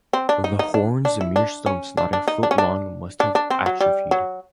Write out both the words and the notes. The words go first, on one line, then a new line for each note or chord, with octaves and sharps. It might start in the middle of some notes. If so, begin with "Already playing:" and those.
The horns, mere stumps not a foot long, must have atrophied.
C4
D4
D#4
D#4
D4
D4
E4
D4
C#4
D4
D4
D#4
D4
C#4
D4
D4
D4
C4
F#3
G3
F#3